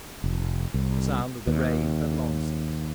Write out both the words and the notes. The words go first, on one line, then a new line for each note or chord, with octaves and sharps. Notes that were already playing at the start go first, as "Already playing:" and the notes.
The sound of the rain had long ceased.
F1
C2
D#2